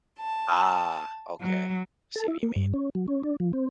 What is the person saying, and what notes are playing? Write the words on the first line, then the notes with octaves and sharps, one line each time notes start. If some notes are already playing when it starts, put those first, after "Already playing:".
Ah, okay, see what you mean.
A5
F#3
A4
E4
A#3
G2
C#4
F#3
C#4
D4
F3
C4